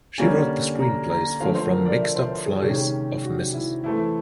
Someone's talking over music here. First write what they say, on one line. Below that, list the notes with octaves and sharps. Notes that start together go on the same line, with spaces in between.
She wrote the screenplays for From the Mixed Up Files of Mrs.
D3 G3 A#3 C#4 G#5
A#5
A#5
D3 F3 A3 C4 F5
C5
A#4
D5
E5
C5
C5
G#4
C3 D#3 G#3 C#4 G4
F#4
E4
E3 A3 C4 E4